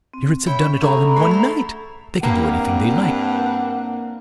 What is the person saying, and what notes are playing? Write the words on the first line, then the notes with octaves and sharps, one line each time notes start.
The Spirits have done it all in one night. They can do anything they like.
C4
E4 C#5 G5 B5
C#4
D3 A3 G#4 A#5 B5
A3 E4 F#4
E4 A4 C5
G2 A#3 C4 D4 F#5